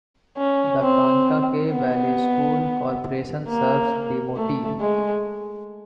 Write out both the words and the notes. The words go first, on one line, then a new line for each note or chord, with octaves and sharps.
The Kankakee Valley School Corporation serves DeMotte.
C#4
C4
B3
A#3
A3
G#3